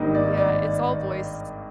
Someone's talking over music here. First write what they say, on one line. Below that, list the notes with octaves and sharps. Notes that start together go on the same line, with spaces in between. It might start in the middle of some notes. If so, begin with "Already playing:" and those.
Yeah, it's all voice.
Already playing: G#1 G2 D#3 A#3 D#4
D5
D5